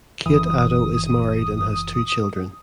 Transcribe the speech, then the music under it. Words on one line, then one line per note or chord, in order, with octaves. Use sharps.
Kate Addo is married and has two children.
F#1 E3 D#6